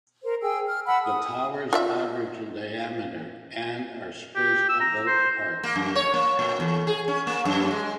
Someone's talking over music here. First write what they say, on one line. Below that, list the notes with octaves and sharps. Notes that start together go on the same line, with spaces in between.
The towers average in diameter and are spaced about apart.
A#4 C5
G#4 G5 E6
F6
F#5 A5 B5 E6
D#6
F4 D5 E5
G4
E6
A#5
C5
A#3
F#2
C#5
A#3
A#2
E2
G#4
C#4
A#3
F#2
G#3